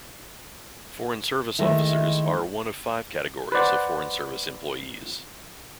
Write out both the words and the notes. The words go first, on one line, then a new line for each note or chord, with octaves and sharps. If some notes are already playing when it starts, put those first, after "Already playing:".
Foreign Service Officers are one of five categories of Foreign Service employees.
D#3 G#3 A3 E4
B4 C5 D5 F#5